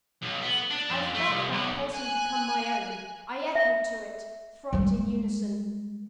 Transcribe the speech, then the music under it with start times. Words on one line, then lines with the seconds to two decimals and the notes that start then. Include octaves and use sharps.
I felt that pulsing become my own; I echoed to it; throbbed in unison.
0.22 B1
0.42 B3
0.70 D4
0.90 F2
1.15 A3
1.28 C2
1.52 B1
1.94 G#5 F#6
3.55 E5
4.73 G3 G#3